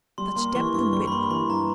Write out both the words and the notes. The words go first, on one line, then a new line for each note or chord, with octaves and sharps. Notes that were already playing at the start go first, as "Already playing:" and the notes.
Such depth and width!
G3 C6
A#3 C6
E3 C#6
G2 C#6
G3 C#6
B5
A#3 C6
E3 B5
G2 A#5